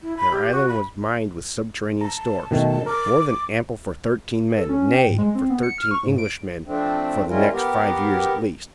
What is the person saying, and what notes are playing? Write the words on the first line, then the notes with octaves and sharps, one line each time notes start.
Their island was mined with subterranean stores, more than ample for thirteen men--nay, for thirteen Englishmen--for the next five years at least.
E4
B5
G4
F#4
B5
A5 A#5
B2 D#3 A3
A#4 D6
A4
C#4
G5
G#2
G#3
C4
B3
C#7
F6
C#6
G#2
D7
F3 A3 C4 D4
G3 G#3 C#4 E4 F4 A#4
B3 G4 A#4